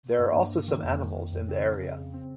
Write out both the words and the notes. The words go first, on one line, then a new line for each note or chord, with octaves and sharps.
There are also some animals in the area.
G2 A#3
G2
G2
D#3
F2
D#3
D#3
F2
C#3 C4
C#3
C#3
C#3
C4